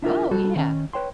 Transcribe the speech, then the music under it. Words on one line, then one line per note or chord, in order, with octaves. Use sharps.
Oh, yeah.
D4 E4 F4 A#4
G3 F#4 A4
D#3 C#4
B4 C#5 G5 C6